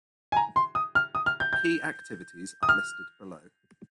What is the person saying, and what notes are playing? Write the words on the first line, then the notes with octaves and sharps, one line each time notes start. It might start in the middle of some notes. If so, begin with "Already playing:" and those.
Key activities are listed below.
G#5
A#5
C6
D#6
F6
D#6
F6
G6
G6
D#6
F6